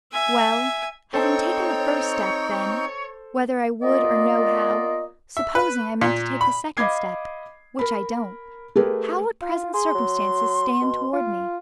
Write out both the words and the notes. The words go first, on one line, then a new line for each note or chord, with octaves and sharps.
Well, having taken the first step, then, whether I would or no, how--supposing I meant to take the second step, which I don't--how would present circumstances stand toward me?
E5 G#5
C4 D#4 A4 C5 C#5 G5
A#3 B3 F4 D5 D#5
E5
B4
A#2
B5
D#5 F5 B5 D6 G#6 C7
A#4 B5
A3 G4 G#4 A#4 B4
F4
G#4 C6
F#3
B2
F4